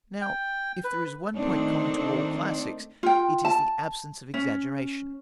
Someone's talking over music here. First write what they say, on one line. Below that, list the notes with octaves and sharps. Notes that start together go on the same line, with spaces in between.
Now, if there is one point common to all classics, it is the absence of exaggeration.
G5
B4
D#3 A3 C4 D4 D#4
F4 G5
A5
C#4